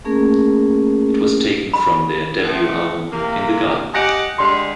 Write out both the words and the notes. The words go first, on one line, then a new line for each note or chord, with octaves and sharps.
It was taken from their debut album "In the Garden".
A3 A#3 C#4 G#4 A#4
B5
A3 B3 C4
C3 A#3
G4 D#5 F#5 G#5 A#6 D7
D3 G3 G#3 C6